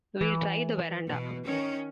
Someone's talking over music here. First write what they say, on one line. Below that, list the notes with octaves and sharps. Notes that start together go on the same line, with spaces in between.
We'll try the verandah.
E3
B2
D#3 C#4